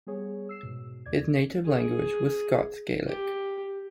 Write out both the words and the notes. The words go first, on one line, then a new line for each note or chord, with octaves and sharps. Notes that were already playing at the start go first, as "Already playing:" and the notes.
His native language was Scots Gaelic.
G3 B3 G#4 C#5
E6 C7 E7
G#2 B2
D#2 D5 G#6
G#4
G4